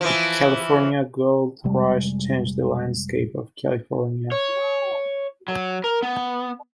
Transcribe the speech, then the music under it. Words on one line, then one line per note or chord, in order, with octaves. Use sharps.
The California Gold Rush changed the landscape of California.
E3 F3
F1 C3 G3 G#3
C#5
F#3
A#4
B3